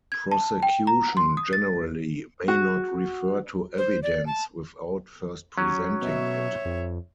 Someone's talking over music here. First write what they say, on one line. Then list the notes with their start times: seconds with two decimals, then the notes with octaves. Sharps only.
Prosecution generally may not refer to evidence without first presenting it.
0.12 G#6
0.32 A5
0.63 G5
0.87 A#5
1.17 C6
1.37 D#6
1.53 A6
2.48 F#4
3.78 C5
4.03 D5
4.26 A5
5.58 F#3 C#4
6.02 B2 C#5 E5
6.65 F2